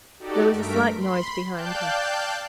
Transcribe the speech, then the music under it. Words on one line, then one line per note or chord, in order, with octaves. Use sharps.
There was a slight noise behind her.
D#4 F#4 G4 A4 D5
G2 A3 A#4 B6 D7
B5 C6
D5 F5 G5 A5 F#6 G6